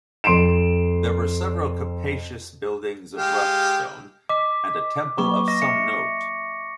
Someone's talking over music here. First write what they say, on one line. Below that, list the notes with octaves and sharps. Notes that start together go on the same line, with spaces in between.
There were several capacious buildings of rough stone...and a temple of some note.
F2 C6 C7 D7 E7
G#3 G4 F5
D#5 D6 B6
F#3 A#3 C#6
D#5 A#6
E5 C#7